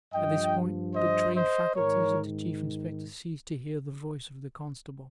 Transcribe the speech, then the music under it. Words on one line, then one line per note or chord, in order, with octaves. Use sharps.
At this point the trained faculties of the Chief Inspector ceased to hear the voice of the constable.
G2 F3 D#5 G5
C5 D#5
C5 D#5
G#2 D#3 A#4 C#5